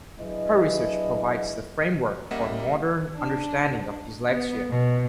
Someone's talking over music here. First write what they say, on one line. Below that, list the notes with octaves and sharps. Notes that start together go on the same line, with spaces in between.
Her research provides the framework for modern understanding of dyslexia.
F#3 D4 E4 G#4 B4 D#5
G3 A#3 C#4 D#5 E5 F#5
D4
B3
B2